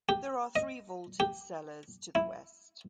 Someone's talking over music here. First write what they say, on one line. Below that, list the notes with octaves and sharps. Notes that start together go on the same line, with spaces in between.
There are three vaulted cellars to the west.
G4
D#5
G4
E4